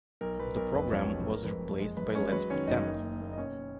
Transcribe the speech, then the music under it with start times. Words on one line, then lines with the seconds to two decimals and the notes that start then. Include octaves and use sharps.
The programme was replaced by "Let's Pretend".
0.21 B1 A#4
0.39 B1 B4
0.57 B1 A#4
0.74 F1 B4
0.92 F3 C#4 C#5
1.10 G#3 C#5
1.21 B4
1.27 G#3
1.34 A#4
1.44 F2 B4
1.62 F#1
1.80 G#3
1.97 F#2 B4
2.15 G#3 C#4 C#5
2.32 F#3 B4
2.50 D#3 C#4 C#5
2.67 F#1 D#4 D#5
2.86 A#3
3.03 A#3
3.21 A#3
3.33 D#5
3.38 B2 C#4 C#5